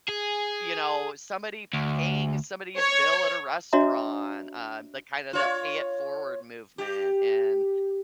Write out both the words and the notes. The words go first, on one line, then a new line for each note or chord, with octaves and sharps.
you know, somebody paying somebody's bill at a restaurant, uh, the kind of the pay-it-forward movement, and,
G#4
D2
C#5
D4 F#4 C#5 D#5 E5 A#5
F4 C#5
G4